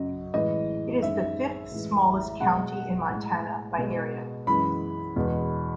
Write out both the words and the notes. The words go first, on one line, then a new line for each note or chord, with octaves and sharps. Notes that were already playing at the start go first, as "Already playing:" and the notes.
It is the fifth-smallest county in Montana by area.
Already playing: F#2 C#3 F#3 D#5
A2 E3 G#3 D#5
F#2 D#3 G#3 E5
A2 E3 G#3
B2 G#3 F#5
A2 G#3
B2 G#3
F#2 E3 G#3 B5
E2 B2 G#3